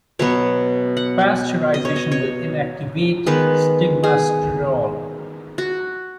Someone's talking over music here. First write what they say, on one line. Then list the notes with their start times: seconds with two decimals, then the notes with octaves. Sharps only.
Pasteurization will inactivate stigmasterol.
0.19 B2 F#3 B3 C#5
0.97 F#5
1.74 D#5
1.85 C#5
1.96 D#5
2.12 C#5
3.26 D#3 G#3 B3 B4
4.04 G#4
5.58 F#4